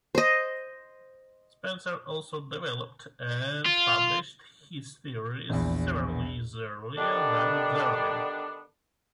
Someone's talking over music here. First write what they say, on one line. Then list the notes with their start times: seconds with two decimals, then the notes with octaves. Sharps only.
Spencer also developed and published his theories several years earlier than Darwin.
0.15 C5 D#5
3.66 F4
5.49 A#1 E2
6.98 D3 D#3 G3 B3 D4